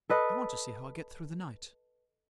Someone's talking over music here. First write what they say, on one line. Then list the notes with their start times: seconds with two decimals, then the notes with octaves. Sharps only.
I want to see how I get through the night.
0.10 A4 B4 D#5